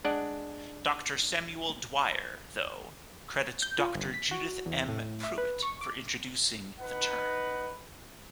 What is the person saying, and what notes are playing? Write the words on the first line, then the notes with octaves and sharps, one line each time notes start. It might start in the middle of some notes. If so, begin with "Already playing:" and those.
Doctor Samuel Dwyer, though, credits Doctor Judith M. Prewitt for introducing the term.
G#3 D4 D5 F#5
G6
F4
G1
B6
F#4
E2
A2
E5
B4
C#6
D6
D#4 B4 F#5